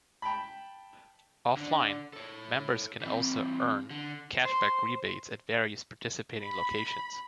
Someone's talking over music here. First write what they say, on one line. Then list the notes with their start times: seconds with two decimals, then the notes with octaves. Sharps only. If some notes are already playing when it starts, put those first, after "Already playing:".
Offline, members can also earn cash back rebates at various participating locations.
0.22 G5 A5 B5
1.57 D3 D4
2.13 A4 C#5
3.02 E3 C4
3.91 D3
4.45 C5
6.42 B5